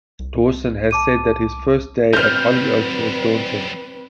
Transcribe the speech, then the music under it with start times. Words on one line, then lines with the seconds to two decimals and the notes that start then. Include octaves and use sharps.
Dawson has said that his first day at "Hollyoaks" was "daunting".
0.19 C2
0.91 A5 D6 D#7
2.13 F#3 G3 C4 B4 F6 G6